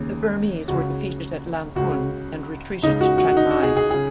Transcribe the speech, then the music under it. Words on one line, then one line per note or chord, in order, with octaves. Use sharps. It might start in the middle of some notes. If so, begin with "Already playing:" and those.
The Burmese were defeated at Lamphun and retreated to Chiang Mai.
Already playing: D#2 C#3
C#2 C#3 F#4
C#2 C#3 F#4
C#2 C#3 D#4
F#4
F#4
F#4
D#4
F#4
G#4
G#4
C#3 G#4